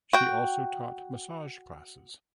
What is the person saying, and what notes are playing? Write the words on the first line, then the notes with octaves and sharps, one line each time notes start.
She also taught massage classes.
F#4 G5